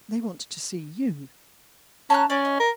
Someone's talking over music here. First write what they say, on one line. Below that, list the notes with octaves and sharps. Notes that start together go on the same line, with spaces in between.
"They want to see you."
C#4 A5 A#5 F#6
C#4 D5
D#5
A#4